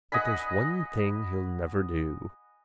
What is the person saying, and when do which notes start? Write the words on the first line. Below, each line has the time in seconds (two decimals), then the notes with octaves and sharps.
But there's one thing he'll never do.
0.12 D#5 F#5 G#5 B5